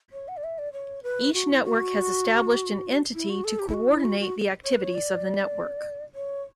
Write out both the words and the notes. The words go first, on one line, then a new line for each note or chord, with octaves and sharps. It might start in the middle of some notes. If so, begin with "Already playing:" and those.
Each network has established an entity to co-ordinate the activities of the network.
C#5
F#5
D5
E5
D5
C#5
B4
F#4
E4
F#4
E4
F#4
A4
G4
E4
F#4
E4
F#4
F#4
C#5
B4
C#5
D5
C#5